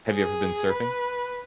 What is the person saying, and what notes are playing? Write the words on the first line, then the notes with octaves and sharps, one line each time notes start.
Have you ever been surfing?
G#4
B4